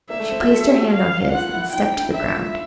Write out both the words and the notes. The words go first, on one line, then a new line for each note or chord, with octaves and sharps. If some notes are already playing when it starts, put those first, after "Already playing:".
She placed her hand on his, and stepped to the ground.
A#3 E5
A3
C4
F#4
A4
G#4
G4
F#4
F5
F4 F#5
E4
D#4 G5
D#4
D4
E4
D4 E5
F4